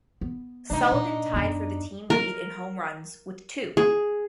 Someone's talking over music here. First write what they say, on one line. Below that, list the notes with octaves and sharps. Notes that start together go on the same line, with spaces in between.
Sullivan tied for the team lead in home runs with two.
B3
C3 A3 D4 D#4
A#2
F#2 B3
A#4
G#4